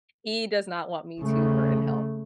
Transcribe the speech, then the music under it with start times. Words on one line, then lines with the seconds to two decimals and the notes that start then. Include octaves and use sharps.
he does not want me to burn in hell.
1.21 C#3 A3